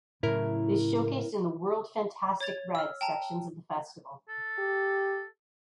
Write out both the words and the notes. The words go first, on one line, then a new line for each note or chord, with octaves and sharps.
It is showcased in the World Fantastic Red sections of the festival.
A2 C#3 F#3 E4 A#4
C#5 G#6 A6 F7
E6 F6
G5 A5 A#5
A4
G4